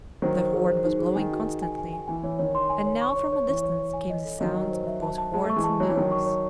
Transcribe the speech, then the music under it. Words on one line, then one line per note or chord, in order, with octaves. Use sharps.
The horn was blowing constantly, and now from a distance came the sounds of both horns and bells.
D#3 F#3 C5
C5
G#4
C5
D#4
G#4
D#3 G#5
F#4
G#5
G#5
G#5
G#5
E3 G#5
E3 C#5
D#3 C#5
C6
G#5
C#5
C#6
C#5
C#5
E3 C#6
C#5
C#5
G#5
D#5
A4
D#3 F#3 D#5
D#5
C5
E5
A5
A5
G#3 A5
A3
C#6
E3 G#3
A5
F#3 C#5
E3
D#3 F#3 C#5
C#6
C#5